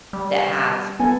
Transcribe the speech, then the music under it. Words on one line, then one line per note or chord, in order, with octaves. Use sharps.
that have
G3
B3 A4 G#5